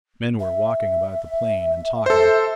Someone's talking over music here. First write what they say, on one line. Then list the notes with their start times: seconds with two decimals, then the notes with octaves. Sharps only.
Men were walking about the plain and talking.
0.40 E5
2.06 A4 C5